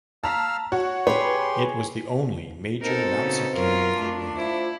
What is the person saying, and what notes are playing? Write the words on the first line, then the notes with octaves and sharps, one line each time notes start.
It was the only major Nazi camp for women.
F5 A5 A#5 E6 F6 B6
F#4 C#5
G4 G#4 B4 C#5 C6
B2 C4 D#4 A4 A#4 C5
A#2 C#3
F#2 F#3 F4 A#4
A3 D4
E4 F4 C5